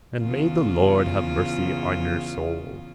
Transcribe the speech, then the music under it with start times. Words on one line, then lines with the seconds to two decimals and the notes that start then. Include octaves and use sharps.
And may the Lord have mercy on your soul.
0.22 E2 C#3 F4